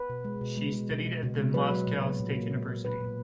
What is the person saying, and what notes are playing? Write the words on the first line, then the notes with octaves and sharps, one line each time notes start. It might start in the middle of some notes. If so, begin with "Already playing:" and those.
She studied at the of Moscow State University.
Already playing: B4
B2
G#3
B2
G#3
G#3
B2
B2
B2
G#3
F#3 B4
F#3
A#2
F#3
A#2
A#3
A#2
A#2
A#2 B4
A#2